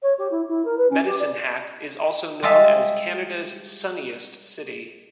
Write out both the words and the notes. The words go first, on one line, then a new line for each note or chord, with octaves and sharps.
Medicine Hat is also known as Canada's sunniest city.
C#5
G4
E4
E4
A#4
B4
C#4
G4
D5
G3 G#3 F4 D#5 E5 A5